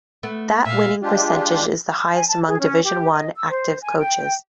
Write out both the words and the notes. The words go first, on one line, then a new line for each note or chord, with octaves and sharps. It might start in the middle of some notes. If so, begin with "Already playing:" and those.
That winning percentage is the highest among Division I active coaches.
A3 B3
A#2 E5 F5
G#3 D4 F4 G4
G#5
A5
G#4
C#4
G4
D#5
E6
C5
G#5
G5